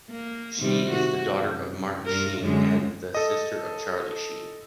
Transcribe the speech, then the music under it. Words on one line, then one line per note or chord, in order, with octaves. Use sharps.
She is the daughter of Martin Sheen and the sister of Charlie Sheen.
A#3
C3 D#3 G3
F#4
F#2
G2 A#4
F#2 D3 G#3
A4 D#5